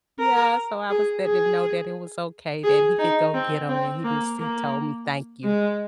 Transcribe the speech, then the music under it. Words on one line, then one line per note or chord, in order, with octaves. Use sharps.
Yeah. So, I was letting him know that it was okay that he could go get 'em, and he was he told me "thank you."
A#4
G#4
G#4
G#4
D#4
C4
C4
A#3
A#3
G#3